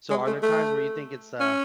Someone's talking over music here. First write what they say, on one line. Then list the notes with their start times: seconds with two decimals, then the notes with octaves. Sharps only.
So are there times where you think it's, uh
0.10 G#3
0.26 A3
0.43 A3
1.40 C#4